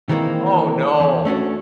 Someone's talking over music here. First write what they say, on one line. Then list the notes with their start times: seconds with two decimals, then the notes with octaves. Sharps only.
Oh no!
0.09 D#3 E3 G#3 A#3 C4
1.00 E2
1.25 A3 C#4 D4 F#4